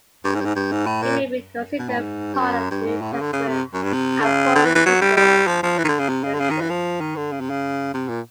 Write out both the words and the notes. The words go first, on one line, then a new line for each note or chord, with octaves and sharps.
It may be considered part of the New Testament apocryphal tradition.
G2
G#2
G2
G#2
G2
G#2
A2
A#2
B2
A2
G#2
G2
F#2
G2
G#2
A2
C#3
D3
C#3
C3
F#2
G2
C3
D3
C#3
D3
E3
E3
F#3
G3
G3
F3
F3
E3
D#3
D3
C#3
C3
C#3
D3
C#3
D#3
E3
F3
D#3
D3
C#3
C3
C#3
C3
A#2